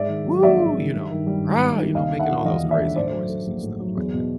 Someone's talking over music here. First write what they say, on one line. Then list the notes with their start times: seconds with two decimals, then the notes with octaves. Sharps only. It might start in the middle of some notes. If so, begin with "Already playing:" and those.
"Woo!" you know, "Rah!" you know, making all those crazy noises and stuff like that.
Already playing: G#2 D5 E5
0.09 D#3
0.27 F#3
0.43 A#1 D5 E5
0.60 G#2
0.77 D#3
0.93 G2
1.10 D#3
1.27 G3
1.44 G#1
1.61 G2
1.78 D#3
1.94 D#2 D#5 F5
2.12 D3
2.19 E5 F#5
2.29 F3
2.45 E1 D#5 F5
2.62 D#2
2.70 D5 E5
2.79 D3
2.96 A2 C5 D5
3.12 F#3
3.29 A3
3.46 A#1
3.63 A2
3.80 F#3
3.96 E2
4.14 B2